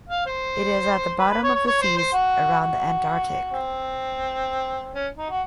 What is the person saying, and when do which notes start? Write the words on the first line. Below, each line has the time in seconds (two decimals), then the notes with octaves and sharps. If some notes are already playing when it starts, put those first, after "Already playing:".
It is at the bottom of the seas, around the Antarctic.
0.09 F5
0.26 C5
1.19 B4
1.31 B4
1.43 C#5
1.54 C#5
1.66 C#5
1.82 C5
1.97 C5
2.13 F#4
2.60 F#4
3.53 C4
4.95 C#4
5.17 D#4
5.30 F#4